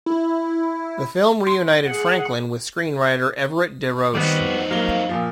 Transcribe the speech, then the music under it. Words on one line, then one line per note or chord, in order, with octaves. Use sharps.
The film reunited Franklin with screenwriter Everett De Roche.
E4
C6
G#4 F#5
D#3 G3 B3 C4 D#4 F#4
F2
F#3 A#3 F5 G7
A#2 F3